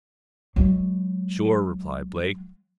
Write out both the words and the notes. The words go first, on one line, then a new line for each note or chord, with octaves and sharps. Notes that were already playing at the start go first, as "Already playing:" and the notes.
"Sure," replied Blake.
F#3 G#3